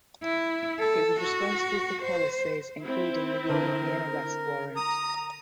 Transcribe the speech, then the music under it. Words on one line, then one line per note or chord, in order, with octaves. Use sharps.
It was responsible for policies including the European Arrest Warrant.
E4
A4
F#4
C5
C4 E4
D3 D4 A#4 D#7
A#5 D#6